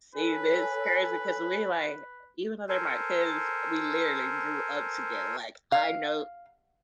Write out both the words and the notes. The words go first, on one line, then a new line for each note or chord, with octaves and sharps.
See, that's crazy, 'cause we like even though they're my cuz, we literally grew up together, like, "I know
A4 B4 C#5 G#5
A4 A#4 C5 G#5
F5